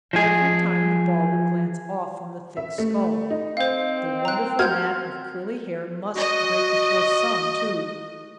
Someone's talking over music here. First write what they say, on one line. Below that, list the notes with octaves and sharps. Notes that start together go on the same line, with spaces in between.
Every time the ball would glance off from the thick skull. The wonderful mat of curly hair must break the force some, too.
F3 G#4
E5
A3
D#4
C4 C5 F5
A#5 F#6
F#4 C5 F6 G6 G#6
F#4 D#5